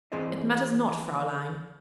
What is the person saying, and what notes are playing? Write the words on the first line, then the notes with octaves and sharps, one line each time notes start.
'It matters not, Fraeulein.
E3 C4 G#4 C5 D5 D#5